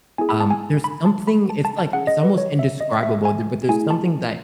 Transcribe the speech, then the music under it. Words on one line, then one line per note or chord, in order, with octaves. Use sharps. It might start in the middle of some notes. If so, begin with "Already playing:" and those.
Um, there's something it's, like it's almost indescribable, b but there's something that
B3 E4 G#4 G#5
B5
A5
G#5
B5
A5
B5
A5
A5
A5
C#4 G#4 F#5
D#5
B4
C#5
E5
D#5
E5
G#5
A3 E4 G#4 G#5
A5